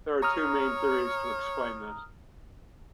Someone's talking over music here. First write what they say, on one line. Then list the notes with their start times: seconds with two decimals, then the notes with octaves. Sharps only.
There are two main theories to explain this.
0.22 C#5 A#5 D#6 F6